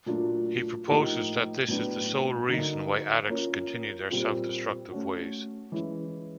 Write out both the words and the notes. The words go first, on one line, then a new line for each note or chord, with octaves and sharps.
He proposes that this is the sole reason why addicts continue their self-destructive ways.
A#2 F#3 A3 D4 F4
A2 F3 A#3 D#4 G4
A2 F#3 B3 D4
D3 F#3 A#3 D#4
A#3 C#4 F4 A#4 C#5
A#2 G3 C4 F4
A3 C#4 F#4
E3 G#3 C#4 E4